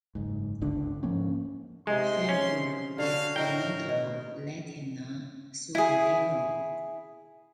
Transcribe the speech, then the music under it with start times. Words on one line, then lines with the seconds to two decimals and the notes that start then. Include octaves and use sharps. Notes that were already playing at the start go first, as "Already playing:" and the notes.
Firebird is a notable Latina superhero.
0.15 F#1 G#2
0.61 G1 C#2 D3 D4
1.03 G#2 F3 A#3 C#4
1.87 C3 G#3 D#4 C6
2.29 C#4
2.98 D3 F#4 F5
3.36 A2 D#4 F#4 A#4 G5
3.89 B2
5.75 E4 G#4